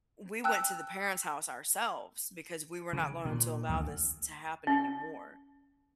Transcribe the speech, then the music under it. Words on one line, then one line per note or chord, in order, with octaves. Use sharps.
we went to the parents' house ourselves because we were not going to allow this to happen anymore,
G5 A5 E6 F#6
C#3
A#2
D2
C#4